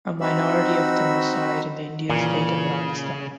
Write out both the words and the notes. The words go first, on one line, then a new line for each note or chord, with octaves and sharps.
A minority of them reside in the Indian state of Rajasthan.
C4 D#4 F#4 B5 E6
A#2 C#3 E3